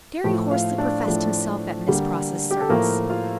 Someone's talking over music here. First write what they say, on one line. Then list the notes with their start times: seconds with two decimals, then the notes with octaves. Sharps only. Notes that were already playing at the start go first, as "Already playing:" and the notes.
Jerry hoarsely professed himself at Miss Pross's service.
0.24 A2 F3 A3
0.51 F4 F5
0.78 D4 D5
1.06 A2 F3 A3
1.87 D3 G3 A#3
2.51 G4
2.61 A4
2.69 A2 F3 A3 A#3 A#4
3.10 F4 F5